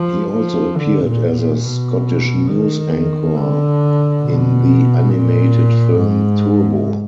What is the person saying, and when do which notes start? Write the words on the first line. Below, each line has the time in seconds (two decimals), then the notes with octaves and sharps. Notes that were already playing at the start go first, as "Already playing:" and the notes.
He also appeared as a Scottish news anchor in the animated film "Turbo".
Already playing: F3
0.33 F3
0.77 D3
1.06 A#2
1.35 A#2
1.63 B2
2.50 D#3
3.37 D3
4.23 B2
5.09 A#2
5.96 G#2